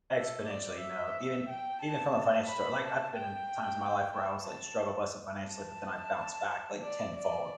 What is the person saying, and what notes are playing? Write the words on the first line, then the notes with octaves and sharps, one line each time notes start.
exponentially, you know, even even from a financial story, like, I've been in times in my life where I was, like, struggle busing financially, but then I've bounced back, like, tenfold.
A4
D5
E5
G5
A5
A5
B5
A5
G5
A5
A5
A5
D5
D5